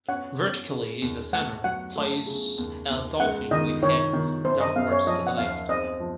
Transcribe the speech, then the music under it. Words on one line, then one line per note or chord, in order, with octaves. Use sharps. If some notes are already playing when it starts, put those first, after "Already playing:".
Vertically in the centre, place a Dolphin with head downwards to the left.
C#4 F#5
C#4
C#3
D#2
A3 F#5
F#3 F#5
A3
C#3
D#2
D#2
C#2 F#5
D#3 D#5
D#3 C#5
D#3
F#2 C5
D#5
F#2 F5
C#5
F3 D#5
F#5
D#2 F5
C4 D#5
F3